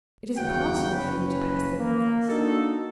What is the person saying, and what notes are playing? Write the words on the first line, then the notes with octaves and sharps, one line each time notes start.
It is impossible for you to pass the night thus.
G1 E2 C#3 F#4 F#5 G5
F#1 C#4 B4
A#3
A#3 D4 D#4 F#4 A4